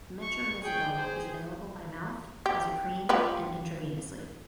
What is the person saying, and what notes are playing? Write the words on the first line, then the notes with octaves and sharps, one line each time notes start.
Metronidazole is available by mouth, as a cream, and intravenously.
C#6
G#4 G5
G#4 C5
G4
F3 G4 B4